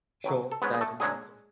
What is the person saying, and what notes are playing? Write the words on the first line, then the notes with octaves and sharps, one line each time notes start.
Shaw died in London.
A1 A2 F#3
A4
G#2 G#3 B3 C#4 B4
G#4
A3 A4
D2 D3 F#3 G#3 C#4 G#4